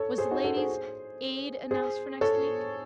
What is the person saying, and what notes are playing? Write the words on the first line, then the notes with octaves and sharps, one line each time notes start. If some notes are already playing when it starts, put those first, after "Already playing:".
"Was the Ladies' Aid announced for next week?"
Already playing: A4 C#5
G#4 C5
D#4 F#4
F#4 A4
G#4 C5
G#4 C5
A4 C#5